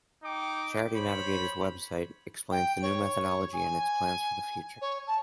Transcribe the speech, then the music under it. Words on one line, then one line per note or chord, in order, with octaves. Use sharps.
Charity Navigator's website explains the new methodology and its plans for the future.
D#4 G5 D6
C5 C#5 B5
G5
C#5
G#5
C#5
A5